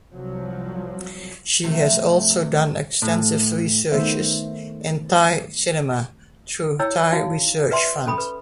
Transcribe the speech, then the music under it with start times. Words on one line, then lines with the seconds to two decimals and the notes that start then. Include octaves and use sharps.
She has also done extensive researches in Thai cinema through Thai Research Fund.
0.12 C2 F3 F#3
1.63 A2 C3 F3 F#3 A3
3.02 A2
3.92 D#3 A3 B3 C5 E5
6.79 E4 C#5 G5 E6
7.13 D#4 F#4 F5
7.71 B4 D5 E5 G5 C6
8.06 C#4 A4 G5 B5 D#6
8.18 B4